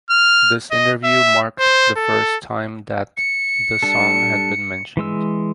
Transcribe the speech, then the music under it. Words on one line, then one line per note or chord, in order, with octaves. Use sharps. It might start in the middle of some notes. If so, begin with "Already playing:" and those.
This interview marked the first time that the song had been mentioned.
F6
D#5
E5
C5
A4
C#7
G3 D4 A4
E3 G#3 E6